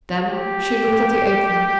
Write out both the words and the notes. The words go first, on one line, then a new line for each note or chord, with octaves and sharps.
Then she looked at the apron.
G4